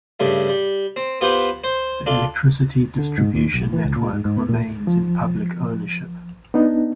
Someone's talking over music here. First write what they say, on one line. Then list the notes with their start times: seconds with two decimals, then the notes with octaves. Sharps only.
The electricity distribution network remains in public ownership.
0.20 G2 C#3 G3 A3
0.49 G3
0.96 C4
1.21 B3 F4 G4 B4 C5
1.64 C5
2.06 D4 F4 A4
2.98 D3
3.18 G#2
3.35 D#2
3.54 B1
3.73 E3
3.84 C#2
3.96 A#2
4.13 G#2
4.25 G#2
4.37 B3
4.49 A#2
4.87 F3
6.54 B3 D4 D#4